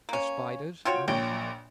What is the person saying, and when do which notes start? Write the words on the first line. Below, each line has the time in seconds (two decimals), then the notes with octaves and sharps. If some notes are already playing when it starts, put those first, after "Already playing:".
"Or spiders?" I went on.
0.09 A#3 C#4
0.85 F4 F#4 C#5 G5
1.08 A#1 A#2 C#5 G5